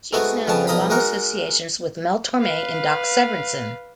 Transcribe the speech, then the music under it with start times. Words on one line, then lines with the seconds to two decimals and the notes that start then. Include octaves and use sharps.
She is known for long associations with Mel Torme and Doc Severinsen.
0.13 G#2 A3 B3 F#4 G#5
0.47 F2 C#3 B3 C#5 A5
0.67 B1 F3 D#5 A#5 B5
0.90 G#3 D#4 F#4 A#4
2.41 B4 F5